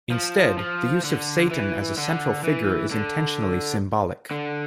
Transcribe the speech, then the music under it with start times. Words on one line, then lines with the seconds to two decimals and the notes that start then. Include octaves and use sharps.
Instead, the use of Satan as a central figure is intentionally symbolic.
0.11 F3
0.57 F3
1.04 D3
1.51 E3
1.98 D3
2.44 E3
2.91 D3
4.31 D3